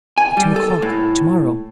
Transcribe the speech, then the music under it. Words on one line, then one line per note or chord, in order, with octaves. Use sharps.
"At two o'clock to-morrow."
G#5
G3
A4
A2